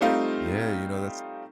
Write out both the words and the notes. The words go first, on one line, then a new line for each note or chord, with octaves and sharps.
Yeah, you know, that's
G3 A3 C4 D#4 F4 F5